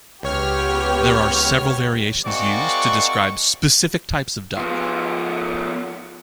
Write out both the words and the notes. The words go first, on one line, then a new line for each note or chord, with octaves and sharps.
There are several variations used to describe specific types of duck.
C#2 B3 G4 C#5 F6
G#3 A#3 C4 F#4 D5 C#6
F3 B3